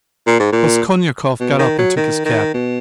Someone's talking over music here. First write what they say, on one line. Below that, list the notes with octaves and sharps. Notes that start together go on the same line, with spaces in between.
Raskolnikov got up and took his cap.
A#2
G#2
A#2
B2
D#3
F#3
D#3
D#3
B2